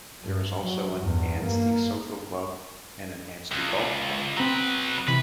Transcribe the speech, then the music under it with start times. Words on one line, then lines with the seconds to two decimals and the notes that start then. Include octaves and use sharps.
There is also an Ansty Social Club and an Ansty Golf Club.
0.23 G2
0.63 F#3
0.99 E2 G2
1.39 G2 A#3
3.52 C#2
4.37 F#3 C4 B4 A#5
5.08 C3 E3 B4 B5